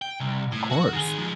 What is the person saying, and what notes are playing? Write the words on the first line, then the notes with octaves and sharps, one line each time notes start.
Of course.
G5
C2
A2
F#4 F#5
D#3 G#4
F3 G#3